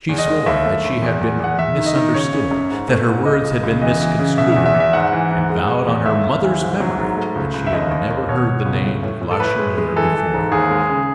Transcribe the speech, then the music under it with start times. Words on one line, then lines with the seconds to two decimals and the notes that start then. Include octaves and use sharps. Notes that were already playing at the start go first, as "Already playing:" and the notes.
She swore that she had been misunderstood, that her words had been misconstrued; and vowed on her mother's memory, that she had never heard the name of Lacheneur before.
0.09 E2
0.18 D#5
0.27 G#3
0.46 D#2 E5
0.65 A3
0.84 D#2
1.02 E2
1.21 E2
1.40 E2 F#5
1.58 E2 E5
1.77 D#3
1.86 D#5
1.96 D#3
2.14 C#3 C#5
2.33 C#3
2.51 F#2
2.71 G#2
2.88 A3
3.08 G#2
3.25 C#2 D#5
3.44 C#2
3.63 C#2
3.81 E3 D#5
4.01 E3
4.19 C#3
4.38 B2 E5
4.52 E2 E5
4.66 E5
4.75 E2
4.80 E5
4.93 G#2 F#5
5.13 E3
5.31 G#2
5.50 G#3
5.68 G#3
5.87 E2
6.05 D#2 E5
6.24 D#2
6.43 E3
6.61 G#2
6.80 F#3
6.98 G#2
7.17 A3
7.35 C#2
7.54 C#2
7.67 E5
7.72 D#2 D#5
7.91 D#2
8.11 D#2
8.29 B2 C#5
8.47 B2
8.66 C#2
8.85 A2
9.03 A2
9.21 A2
9.31 A4
9.40 A2 B4
9.59 G#3
9.78 G#3
9.96 E3 A4
10.15 E3
10.34 G#2
10.52 D#2 G#4
10.71 G#3
10.89 C#3